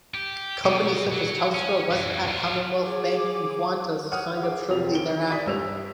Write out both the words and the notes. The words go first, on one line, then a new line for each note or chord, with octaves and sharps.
Companies such as Telstra, Westpac, Commonwealth Bank, and Qantas signed up shortly thereafter.
G4
B2
F#3
C#4
F#2 E3
D4 F4
G#4 D6
C#5 F#5 D#6 F6
G#4 D6
F1 F3 G4 G#4 F7
D#3 D7 G7
D5 D#6 B6
G2 E6 F7